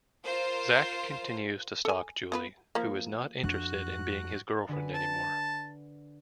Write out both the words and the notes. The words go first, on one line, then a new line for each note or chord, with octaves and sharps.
Zach continues to stalk Julie who is not interested in being his girlfriend anymore.
F4 A#4 C5
A4 G#5
B3 F4 B4
F3 A#3
F2 D4 F#4 F#6
D3 G#4 B4
A5